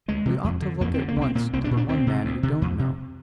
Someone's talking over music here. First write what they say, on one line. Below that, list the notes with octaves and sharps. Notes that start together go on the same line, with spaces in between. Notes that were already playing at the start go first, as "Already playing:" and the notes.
We ought to look at once to the one man we don't know.
D2 G#3
C3
F2
D3
F2 A#3
D3 C4
A#3
C2
C4
A#2 A#3
C2 C4
D4
A#2
D4
D2 C4
C3
D2
C3
F2
C3